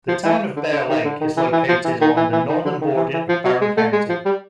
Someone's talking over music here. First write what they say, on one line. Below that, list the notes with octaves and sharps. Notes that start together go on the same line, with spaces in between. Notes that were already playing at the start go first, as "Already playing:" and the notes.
The town of Bear Lake is located along the northern border of Barron County.
F3
E3
D3
D3
D#3
D3
D#3
E3
E3
F3
E3
D#3
E3
E3
D#3
D3
D#3
E3
E3
F3
F#3
G#3
A3
G#3
F3
G3